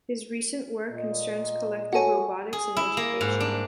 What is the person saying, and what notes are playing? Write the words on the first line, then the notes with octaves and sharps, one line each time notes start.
His recent work concerns collective robotics and education.
A#2 D#5
F#4 A4 C#5 F#5 G#5
G#4
E4
A#3
G#2
D4